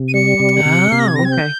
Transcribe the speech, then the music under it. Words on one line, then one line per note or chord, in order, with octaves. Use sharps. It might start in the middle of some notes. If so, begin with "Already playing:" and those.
Oh, okay.
Already playing: C3
D#7
G3 C#7
C3
C3
C3 C7
A#6
G#6
C4 A#6
G#6
G6